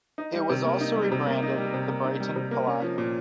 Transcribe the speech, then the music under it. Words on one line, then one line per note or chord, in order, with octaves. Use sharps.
It was also rebranded The Brighton Palladium.
D#4
G3
C3
A#3
D#4
G3
C3
A#3
D#4
G3
C3
A#3
D#4
G3
C3
A#3
C#4
F3
A#2